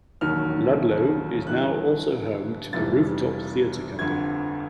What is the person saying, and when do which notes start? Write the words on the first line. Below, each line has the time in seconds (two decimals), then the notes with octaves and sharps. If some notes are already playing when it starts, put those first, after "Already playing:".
Ludlow is now also home to the Rooftop Theatre Company.
0.21 E1 D#2 D#3 F#3 F6
1.47 G1 G2 E3 F#6
2.73 F1 F2 C3 E3 G3 A6
3.99 G1 F2 D3 G#6